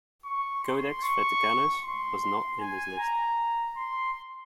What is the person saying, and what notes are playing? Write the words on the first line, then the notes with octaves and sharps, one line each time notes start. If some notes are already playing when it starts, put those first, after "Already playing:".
Codex Vaticanus was not in this list.
C#6
C6
C#6
C6
G#5
A#5
C6